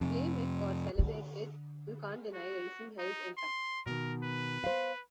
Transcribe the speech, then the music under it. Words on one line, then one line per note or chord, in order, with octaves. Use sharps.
Blame it or celebrate it, you can't deny Raising Hell's impact.
F2 C3
D3
F#4
D#4
C6
B2 D#3 A#4
B4
C5 F5